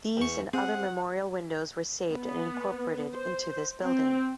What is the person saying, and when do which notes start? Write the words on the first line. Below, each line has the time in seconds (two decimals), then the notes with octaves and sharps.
These and other memorial windows were saved and incorporated into this building.
0.17 E2 C#6
0.53 C4 G#4 F#5
2.12 B3
3.14 C5
3.83 C4